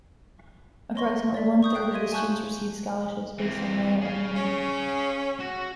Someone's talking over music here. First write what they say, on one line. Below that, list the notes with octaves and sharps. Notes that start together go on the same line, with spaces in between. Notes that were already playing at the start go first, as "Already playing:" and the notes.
Approximately one third of the students receive scholarships based on merit and need.
C#5 D#5 C6 C#6 A#6 G7
D5 E5
C#6 D#6 G6
F5 G5 F#6 G6
G4 D#5 E5 C6 G#6 D#7
G#5 A5 C#6 F#6 G6
E3 C4
G#4 F5
C#4
F#4